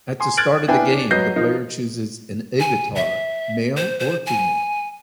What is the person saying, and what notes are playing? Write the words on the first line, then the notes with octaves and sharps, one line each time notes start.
At the start of the game, the player chooses an avatar, male or female.
G#5 C6
F6 F#6 G#6 A6 D7 F#7
B3 D4 E4 B4 G5 G#5
D4
F#3 B4 D#5 G6 A#6 C7
F3 D#4 A#4
G#5
E5
C5
C5
G#5